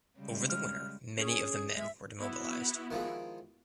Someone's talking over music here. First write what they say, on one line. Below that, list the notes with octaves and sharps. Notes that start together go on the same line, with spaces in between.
Over the winter many of the men were demobilised.
C#3 G3 G#3
F6
C#4 G#4
G#3 E5
B3 E4 F#4
D#3 F3 G#3